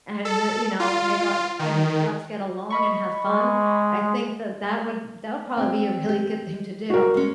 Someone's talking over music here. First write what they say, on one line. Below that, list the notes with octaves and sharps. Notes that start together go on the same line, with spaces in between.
and, you know, make a and let's get along and have fun, I think that that would that would probably be a really good thing to do.
A4
F4
D#3
D#5 B5 C#6
G#3
C4
G4
F#4 A#4
G#3 C#4